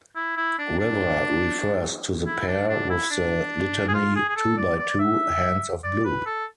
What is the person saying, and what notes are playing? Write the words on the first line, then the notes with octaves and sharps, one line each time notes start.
River refers to the pair with the litany "two by two, hands of blue".
E4
E4
D4
D4
E4
D4
D4
E4
D4
G#4
F4
G#4
G#4
A4
D5
D5
E5
D5
B4
A4